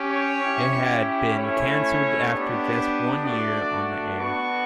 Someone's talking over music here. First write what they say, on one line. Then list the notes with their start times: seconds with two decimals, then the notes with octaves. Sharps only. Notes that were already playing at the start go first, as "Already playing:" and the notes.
It had been canceled after just one year on the air.
Already playing: C#4 G4
0.11 C#5
0.43 C#4 E4 G4
1.37 A3 C#4 E4 C#5
2.32 B3 D4 G4
3.25 A3 D4 F#4 D5
4.20 B3 D4 F#4 C#6